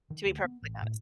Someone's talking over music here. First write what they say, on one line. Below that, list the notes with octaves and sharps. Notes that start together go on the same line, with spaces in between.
to be perfectly honest.
D#3
D2
B3
A1
A2